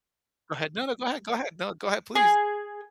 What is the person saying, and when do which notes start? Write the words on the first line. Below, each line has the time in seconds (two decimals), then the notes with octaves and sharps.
go ahead. No, no, go ahead, go ahead. No, go ahead, please.
2.15 G#4